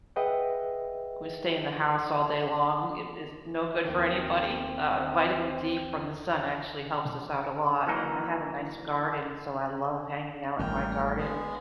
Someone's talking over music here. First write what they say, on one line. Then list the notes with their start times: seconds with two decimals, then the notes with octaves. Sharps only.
we stay in the house all day long. It is no good for anybody. Uh, vitamin D from the sun actually helps us out a lot, and I have a nice garden, so I love hanging out in my garden.
0.16 G#4 B4 D#5 E5 F#5 G5
3.85 D#2 D#3 C4
7.86 E3 F#3 A#3 D#4
10.59 A1 D#3 G3 A#3 G5 F6
11.17 G#3 B3